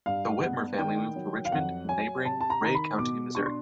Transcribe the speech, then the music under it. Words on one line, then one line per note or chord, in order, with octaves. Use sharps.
The Whitmer family moved to Richmond in neighboring Ray County, Missouri.
G2 F5
B3 F#5
D#3 G5
F#3
F5
F2 F#5
F#3 G#5
C3 A5
A5
A#5
D#3 A#5
B5
B2 D6
D4 C#6
C6